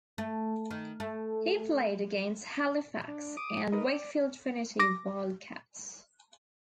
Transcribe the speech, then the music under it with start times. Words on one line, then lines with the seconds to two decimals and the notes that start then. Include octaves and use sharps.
He played against Halifax and Wakefield Trinity Wildcats.
0.18 A3
0.71 D#3
1.00 A3
3.08 D4
3.37 D6 D#6
3.72 D#4 A#4 B4 D#5
3.85 D5
4.79 D6 A#6